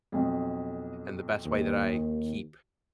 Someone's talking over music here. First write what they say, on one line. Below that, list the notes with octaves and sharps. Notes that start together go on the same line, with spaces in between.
And the best way that I keep
B1 F2
D#2